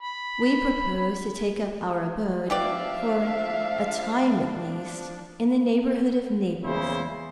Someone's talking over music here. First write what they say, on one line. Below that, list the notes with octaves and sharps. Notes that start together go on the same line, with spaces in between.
We propose to take up our abode, for a time at least, in the neighborhood of Naples.
B5
B2 F3 D4 G4 D5 E5 F5
E2 A#2 C#3 E4 C5